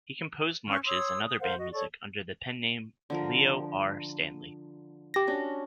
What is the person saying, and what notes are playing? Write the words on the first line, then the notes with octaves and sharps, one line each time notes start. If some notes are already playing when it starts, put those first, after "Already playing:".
He composed marches and other band music under the pen name Leo R. Stanley.
C#4 C#6 F6
C#5 C6 D#6 E6
D#6
A#4 C5 F5 F#5
F#4 D#5
A4 C#5 D5 C#6
D3 F3 A#4
G4 A#6
C#4 D4 F#4